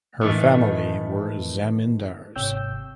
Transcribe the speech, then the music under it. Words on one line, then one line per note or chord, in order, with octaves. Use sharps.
Her family were zamindars.
A2 D#3 E3 A3
G#1 C3 C#5 G5 E6 G6